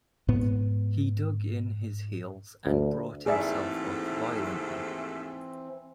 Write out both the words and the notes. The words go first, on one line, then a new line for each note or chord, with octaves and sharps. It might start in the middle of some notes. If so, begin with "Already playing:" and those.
He dug in his heels and brought himself up violently.
G#2 B3
D2
D#2 G#2 E3 A3 C4 G#4 D5 E5